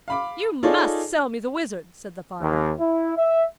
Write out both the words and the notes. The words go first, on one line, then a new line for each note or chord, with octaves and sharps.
'You MUST sell me the wizard,' said the farmer.
F5 B5 D6
D#4 F4 G#4 A4 C#5 D5
D#2
E4
E5